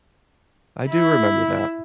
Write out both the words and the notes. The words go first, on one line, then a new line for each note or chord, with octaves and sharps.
I do remember that.
E4